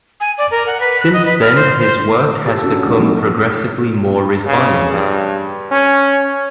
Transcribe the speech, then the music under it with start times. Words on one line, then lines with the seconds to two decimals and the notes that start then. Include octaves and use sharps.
Since then his work has become progressively more refined.
0.20 G#5
0.38 D5
0.51 A#4
0.67 F#5
0.81 B4
1.00 F#6
1.13 D#5
1.26 B4
1.42 F6
1.56 C5
1.79 C5
2.45 G4 A4
2.64 C#4 D4 F#4
2.86 G#3 D#4 F#4
2.99 E3 F3 G#3 A3 C4 D#4
4.47 C#3
4.93 G2
5.71 C#4